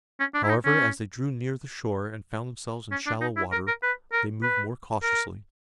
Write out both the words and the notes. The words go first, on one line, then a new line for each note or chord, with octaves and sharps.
However, as they drew near the shore and found themselves in shallow water they moved more cautiously.
C#4
D4
E4
D#4
C#4
C#4
D4
D#4
E4
A#4
A#4
B4
A#4
B4
A#4